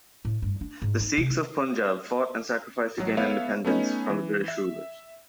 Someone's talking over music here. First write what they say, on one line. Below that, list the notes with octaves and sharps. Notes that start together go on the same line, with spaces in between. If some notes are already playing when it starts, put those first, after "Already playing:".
The Sikhs of Punjab fought and sacrificed to gain independence from the British rulers.
A2
G2
D4
G#2
D#4
C3
D3
A1 F#3
B3 A4 C#5 E5 F5
A3 B3 C#4 D#4
E3
E5